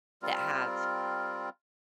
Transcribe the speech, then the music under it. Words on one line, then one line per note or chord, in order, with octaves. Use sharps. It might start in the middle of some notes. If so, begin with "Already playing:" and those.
that have
G3 C4 F4 A#4